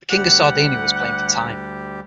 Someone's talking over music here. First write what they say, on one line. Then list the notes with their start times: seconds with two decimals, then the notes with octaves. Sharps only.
The King of Sardinia was playing for time.
0.11 D2 G3 G4 F#5